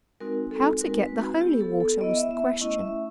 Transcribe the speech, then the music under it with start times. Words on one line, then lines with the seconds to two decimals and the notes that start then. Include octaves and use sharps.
How to get the holy water was the question.
0.20 G#3 C4 D#4 F#4 A#4
0.51 A4
0.81 G#3 C4 D#4 F#4 A#4
1.00 B4
1.21 F#4
1.41 B3 E4 G4
1.61 A4
1.80 A4
2.01 B3 E4 D#5
2.16 E5
2.31 E5
2.60 A3 C#4 E4 D#5
2.81 E5